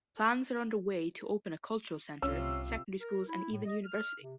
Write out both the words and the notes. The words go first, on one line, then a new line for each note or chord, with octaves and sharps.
Plans are underway to open a cultural center, secondary schools and even university.
C2 C3 C#4 F4 E6
A#4
E4
A2
D#5
F6
C3